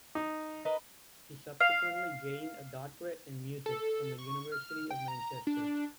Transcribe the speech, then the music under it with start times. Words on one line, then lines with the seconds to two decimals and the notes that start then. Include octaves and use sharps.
He subsequently gained a doctorate in music from the University of Manchester.
0.15 D#4
0.65 A#4 B4 D#5
1.60 F5
3.66 A4
4.18 C#6
4.52 F6
4.91 G5
5.08 A#5
5.47 D4